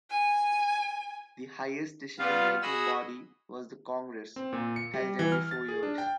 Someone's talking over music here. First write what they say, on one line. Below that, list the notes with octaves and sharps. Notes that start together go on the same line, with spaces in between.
The highest decision-making body was the Congress, held every four years.
G#5
G3 B3 F4 F5
F#4 G#4 D#5 B5 E6
C4
A#2
C#7
G3
E3
F6
A6
G#4
D4
G5